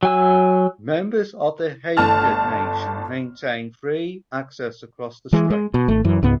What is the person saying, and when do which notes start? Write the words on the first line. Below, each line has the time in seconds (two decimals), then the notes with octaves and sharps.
Members of the Haida nation maintain free access across the Strait.
0.03 F#3 G#5 E6
1.97 G1 A3 A5 F6
5.33 E3 G#3
5.50 G#3
5.74 B2
5.88 G#1 A3
6.04 F#2 E3
6.23 C#2 G#2 B3